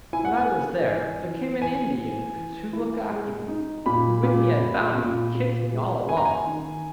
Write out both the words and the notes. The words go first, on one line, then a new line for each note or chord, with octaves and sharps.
When I was there, there came an Indian to look after me, who when he had found me, kicked me all along.
E4 G#5
F#5
G#5
A#3
E3
E3
E3 G#5
E3
E3
E4
G#3
D#4
A#2 B5
A#2
A#2
A#2
A#2
G#3
A#3 G#5
A#5
G#5
D#3